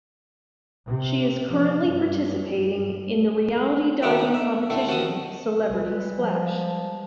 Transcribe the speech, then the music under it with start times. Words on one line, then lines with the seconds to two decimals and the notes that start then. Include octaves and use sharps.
She is currently participating in the reality diving competition Celebrity Splash!
0.87 C3
1.48 F3
1.86 G2
4.02 D#3 A3 F#4 D5 E5
4.19 D#4
4.34 E5
4.70 A2 D3 A3
4.88 D#2 F#4 A5 D#6
5.70 G3 G#3 B4
6.17 F3